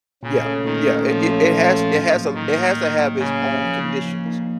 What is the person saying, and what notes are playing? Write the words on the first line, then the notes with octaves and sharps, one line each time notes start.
Yeah, yeah, it it it has it has a l it has to have its own conditions.
A#2 C#3
A3 C#4 A4 C#5
A#2 D#3
A3 C#4 A4 C#5
A#2 F3
A3 C#4 A4 C#5
A#2
A3 C#4 A4 C#5
A2
F#3 A#3
A2 D#3
F#3 A#3
A2
F#3 A#3
A2 C#3
F#3 A#3
F3
A#3 D#4
F3
A#3 D#4